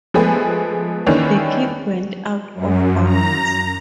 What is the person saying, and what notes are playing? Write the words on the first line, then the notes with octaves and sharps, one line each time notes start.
The kick went out of bounds.
F3 G#3 A3 B3 G#4 B4
D#3 E3 A#3 C#4 D4
F#2
A#5